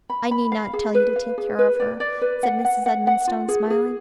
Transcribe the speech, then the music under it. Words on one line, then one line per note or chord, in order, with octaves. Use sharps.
'I need not tell you to take care of her,' said Mrs. Edmonstone, smiling.
B5
B5
F5
G#4
B4
F5
G#4
B4
D5
D5
B4
F#5
F#5
F#5
F#5
F4
G#4
G#4